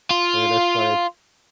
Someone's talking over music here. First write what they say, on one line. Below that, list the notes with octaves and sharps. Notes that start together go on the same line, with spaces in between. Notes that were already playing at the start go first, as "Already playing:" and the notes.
hey, that's funny
F4